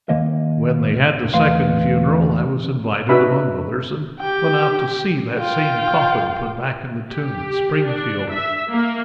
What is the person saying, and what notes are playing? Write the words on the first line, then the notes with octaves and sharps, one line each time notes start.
When they had the second funeral, I was invited among others, and went out to see that same coffin put back in the tomb at Springfield.
D#2 D#3 A#3 D#5 E5
E2 D3 A3 B4 F5 C6
D4 D#4 F#4 B4 E5 B5
G4 G5
F4 G5
G4
D4
E5
A#3